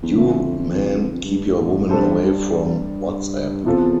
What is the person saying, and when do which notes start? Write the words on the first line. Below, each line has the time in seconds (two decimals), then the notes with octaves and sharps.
You, men, keep your women away from WhatsApp.
0.03 E2
0.15 F2 D3 A3 E4
0.59 F2
1.02 F2
1.13 F2
1.25 G2
1.35 G2
1.46 A2
1.89 G2 G3 D4 A4 C5
3.64 E2 C3 F3 C4 F4 A4